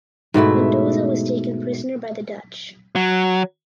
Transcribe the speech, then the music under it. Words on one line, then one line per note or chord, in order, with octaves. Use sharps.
Mendoza was taken prisoner by the Dutch.
G#2 B2 A3 E4
F#3